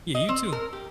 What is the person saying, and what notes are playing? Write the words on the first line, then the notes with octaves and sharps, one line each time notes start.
Yeah, you too.
D#5
C4
A#4
G4